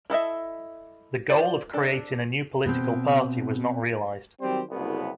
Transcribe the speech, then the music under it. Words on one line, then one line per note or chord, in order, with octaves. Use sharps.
The goal of creating a new political party was not realized.
E4 A4 D#5 E5
F4 C5 D5
D4 A4
B2 C4
D#3 F#3 G3 C4 G4 C5
F#1 C2 B3